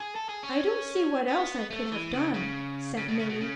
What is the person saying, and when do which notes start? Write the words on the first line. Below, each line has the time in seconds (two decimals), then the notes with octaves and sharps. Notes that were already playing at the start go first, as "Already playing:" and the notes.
"I don't see what else I could have done," said Milly.
0.01 G#4
0.16 A4
0.29 G#4
0.43 C#4
1.28 B3
1.70 A3
1.92 E3
2.13 C#3
2.34 C#3
2.97 C#3
3.08 B2
3.19 C#3
3.29 B2
3.40 C#3